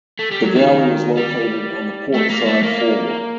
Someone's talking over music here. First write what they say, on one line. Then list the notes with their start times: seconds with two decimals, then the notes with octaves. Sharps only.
The galley is located on the port side forward.
0.19 A3
0.32 G3
0.44 F#3
0.56 D#3
0.68 D#3
1.17 G3
2.14 A3
2.30 A#3
2.46 A3
2.63 A#3